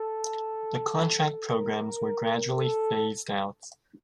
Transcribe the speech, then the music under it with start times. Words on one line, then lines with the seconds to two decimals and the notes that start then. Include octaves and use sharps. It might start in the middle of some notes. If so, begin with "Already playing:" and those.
The contract programs were gradually phased out.
Already playing: A4
1.50 A#4
2.57 A4